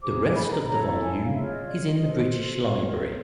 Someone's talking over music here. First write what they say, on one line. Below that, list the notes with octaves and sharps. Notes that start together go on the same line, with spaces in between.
The rest of the volume is in the British Library.
D#4 G#4 C5 D6
D6
B5
A#5
E4 A4 C#5 A#5
G#5
F5
F4 G#4 C#5 E5
D#5
D5
D#5
F4 A4 C5
F4 A#4 C#5 D5
G5